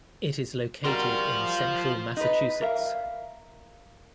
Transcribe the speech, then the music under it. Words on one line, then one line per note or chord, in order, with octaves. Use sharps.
It is located in Central Massachusetts.
G3 F4 F#4 A#4 C5
D#4 B4
A#4 E5 F5